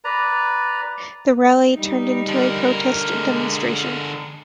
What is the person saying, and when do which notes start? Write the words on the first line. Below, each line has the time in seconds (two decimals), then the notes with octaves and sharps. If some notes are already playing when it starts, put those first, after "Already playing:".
The rally turned into a protest demonstration.
0.05 B4 D5 A#5
1.73 G3 D#4
2.29 D3 A#4
3.10 G#3